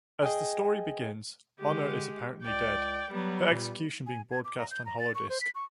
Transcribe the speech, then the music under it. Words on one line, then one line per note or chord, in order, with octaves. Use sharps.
As the story begins, Honor is apparently dead, her "execution" being broadcast on holo-disc.
G#4 D#5 G5 G#5
D3 G#3 G4
C#2 D5 G5
F#3 G3 B3
A#2
G#5
G#6
D6
A#5
G6
A#5
A6
C#6
C5
B6
C#6